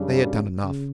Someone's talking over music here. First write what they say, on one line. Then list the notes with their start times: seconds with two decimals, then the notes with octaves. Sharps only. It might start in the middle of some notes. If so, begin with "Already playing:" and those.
They had done enough.
Already playing: F#2 C#3 G3 D4
0.62 C#3